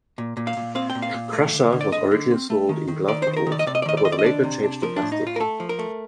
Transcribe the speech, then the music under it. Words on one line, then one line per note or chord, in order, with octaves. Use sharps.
Crusha was originally sold in glass bottles, but was later changed to plastic.
A#2
A#2
F5
A#2
C4 F5
G5
A#2
F5
A#2
A3
D3
D3
D5
D3 D#5
D3
C4
A3
D#3
D#3
D#3 D5
C5
D#3
C5
A#4
D#3
D5
D#5
C3 D5
D#5
D5
D#3 D#5
D5
D#3 D#5
D5
D#5
D4 D5
C3
D4
F3 A#4
D4
A2
D#4
A2
F4
A#4
A3 A4
F3
A#4
A3